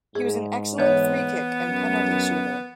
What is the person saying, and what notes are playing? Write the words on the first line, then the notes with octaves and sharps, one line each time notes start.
He was an excellent free kick and penalty shooter.
G#2 G#4
E3 B3 C#5
F#2